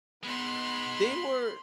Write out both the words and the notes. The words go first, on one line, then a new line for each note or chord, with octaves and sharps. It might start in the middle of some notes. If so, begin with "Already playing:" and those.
they were,
G#3 B3 D#4 B5 C6